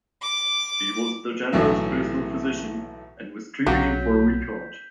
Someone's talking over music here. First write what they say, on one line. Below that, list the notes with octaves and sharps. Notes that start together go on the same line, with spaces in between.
He was the General's personal physician, and was treating him for a weak heart.
D6
B1 A2 E3 F#3 F#4 E5
B1 F#3 B3 G4 F5 G6 B6